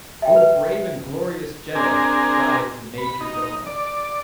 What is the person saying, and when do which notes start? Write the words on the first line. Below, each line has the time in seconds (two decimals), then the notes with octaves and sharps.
"O brave and glorious jeddak!" cried the major-domo.
0.22 E5 G5
0.36 B4
1.75 C4 D4 G#4 A#4
2.98 B5
3.21 D#4
3.66 D5